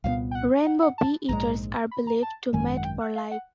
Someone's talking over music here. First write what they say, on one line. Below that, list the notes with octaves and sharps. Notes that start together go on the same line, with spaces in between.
Rainbow bee-eaters are believed to mate for life.
C2 A#2 F#3 B3 F5
G5
F#5
F#5
F#5
A5
A#1 G#2 D#3 G#3 A#5
B5
A#5
A5
G#1 F#2 D#3 G#3 G#5
F#5
G5
F#5
F5
F#5